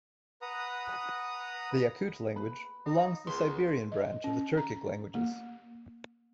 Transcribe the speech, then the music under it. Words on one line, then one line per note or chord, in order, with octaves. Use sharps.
The Yakut language belongs to the Siberian branch of the Turkic languages.
B4 F#5 A#5 D#6
B4 B5
D#4
C#2 B3 C6
D#5
C#4
A#5
A#3